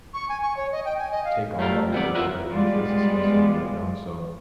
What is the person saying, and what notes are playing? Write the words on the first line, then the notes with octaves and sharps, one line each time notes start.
take on all your older brother's interests. Especially when you're that young. So,
C#6
G#5
C#6
C#5
D#5
G5
G#5
D#5
F5
G3 A3 F4 A#4
G3 B3 C4 D5
F4 F#4 A#4 B4 C#5 E5
G3 G#3 B3 F4 D5